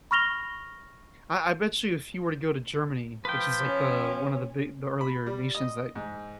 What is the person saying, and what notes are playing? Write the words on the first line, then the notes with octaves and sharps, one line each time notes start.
I I bet you if you were to go to Germany, which is, like, the one of the big the earlier nations that
B5 C#6 F6 A#6 F7 G7
F3 B4 G5
C#4
B5
G3
D#5
G#2